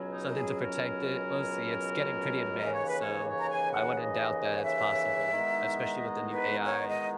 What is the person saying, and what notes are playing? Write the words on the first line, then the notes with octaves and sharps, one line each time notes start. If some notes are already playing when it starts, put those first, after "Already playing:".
something to protect it, we'll see, It's getting pretty advanced, so I wouldn't doubt that it's possible, especially with the new AI.
Already playing: C#2 B2 F#3 C#4
D#4
A#4
G#4
A#4
D#2 C#3 E3 D#5
C#5
B4
C#5
C#5
A#5
G#5
F#5
D#5
F#5
E5
E2 D#3 G#3 B3 D#4
D#5
B4
B4
C#5
D#5